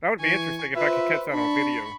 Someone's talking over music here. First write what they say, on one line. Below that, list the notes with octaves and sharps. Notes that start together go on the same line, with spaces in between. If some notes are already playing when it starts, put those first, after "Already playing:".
That would be interesting if I could catch that on video.
E3 G#5 C#6
F4 B4 C5 E5
D4 A5 B5 C#6